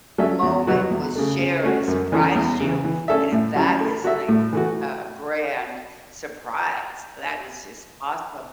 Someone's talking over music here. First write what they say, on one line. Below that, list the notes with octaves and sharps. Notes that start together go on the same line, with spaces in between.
moment was shared and surprised you and if that isn't a f a grand surprise; that is just awesome.
F#3 C#4 A4 E5
E2
B2 F#3 B3 F#4
E2
C#3 A3
C#3
A3 C#4 F#4
F#2
E3 C#4 E4 A4
E2
C#3 E3
E3
C#4 A4 E5
A2
F#3 C#4 E4
A3
F#4 A4 E5
A2
E3 A3 F#4